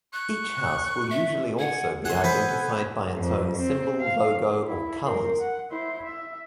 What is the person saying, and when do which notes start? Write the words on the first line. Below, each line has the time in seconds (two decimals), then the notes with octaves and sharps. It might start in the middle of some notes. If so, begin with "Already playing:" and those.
Each house will usually also be identified by its own symbol, logo, or colours.
0.13 C#6 F#6
1.11 E5
1.59 F#5 G#5
2.05 A4 F#5 G#5 C6
2.24 B3 B4 C5
3.17 F2
3.58 C4
4.01 F5
4.66 E4
5.04 A#4 C5
5.39 F#5
5.70 E4 C5
6.05 E5